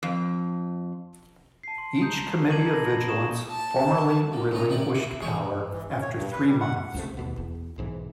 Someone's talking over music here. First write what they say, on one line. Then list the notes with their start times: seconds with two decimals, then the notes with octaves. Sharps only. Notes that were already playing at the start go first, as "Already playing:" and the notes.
Each Committee of Vigilance formally relinquished power after three months.
0.03 F2
1.63 A5 C7
1.78 C6
2.00 A#5 D#6 G6
2.51 A5 A#5 D6 G#6 D#7 F#7
2.71 B5 A#6
3.08 C#6 D#6 E7
3.51 A5
4.32 B2 A#3
4.52 A#2 C#4 D#4 F4 D#5
4.69 D#3 C#4 D4 E4 B4 G5
4.95 E4
5.22 E3 G#3 G#4 C#5
5.72 E3
5.89 C#4
6.01 C#5
6.15 G2
6.33 B4
6.47 G3
6.60 F#5
6.94 C#2 C3 A3
7.17 D#2 B2 B3
7.37 E2
7.78 B1 G#2 E3